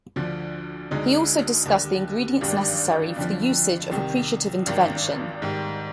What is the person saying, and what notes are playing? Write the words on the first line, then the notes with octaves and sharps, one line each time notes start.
He also discussed the ingredients necessary for the usage of appreciative intervention.
D2 D3 F3
D2 D3 G#3 D#4
D#2 D3 G3
G#1 G2 D#3 G3 D4
F2 D3 F3
C2 C3 D#3
G#1 G2 D#3
G#2 D#3 G3